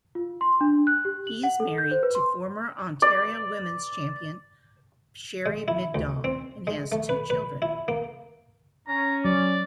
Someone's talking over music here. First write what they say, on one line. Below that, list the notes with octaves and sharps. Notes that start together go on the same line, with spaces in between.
He is married to former Ontario women's champion Sherry Middaugh, and has two children.
F4
C6
D4
F#6
G4
F#7
F#5
A4
G6
C5
B4
C6
D5
G#3
E4
D2
C4
G#3
A3
B4
B4
E4
A#3
C#4 A#5
F#3 D5